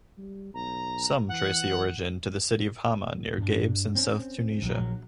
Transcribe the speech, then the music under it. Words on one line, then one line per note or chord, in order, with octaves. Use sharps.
Some trace the origin to the City of Hamma near Gabes in South Tunisia.
G3
B1 A#5
E3 F#5
G2 D4
C4 C#4
A#1 F#3